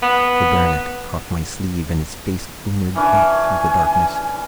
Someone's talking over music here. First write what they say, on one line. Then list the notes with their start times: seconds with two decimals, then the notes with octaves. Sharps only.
The baronet caught my sleeve and his face glimmered white through the darkness.
0.02 B3
2.96 E3 C#4 D4 G#5